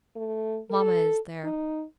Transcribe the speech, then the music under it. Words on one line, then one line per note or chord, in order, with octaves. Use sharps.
"Mamma is there."
A3
A4
D#4